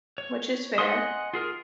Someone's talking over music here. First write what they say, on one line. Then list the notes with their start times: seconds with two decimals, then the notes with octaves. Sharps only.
which is fair.
0.18 C#5
0.78 D#5 F#5 G#5 C6 D#6
1.34 F4 G#4 A#4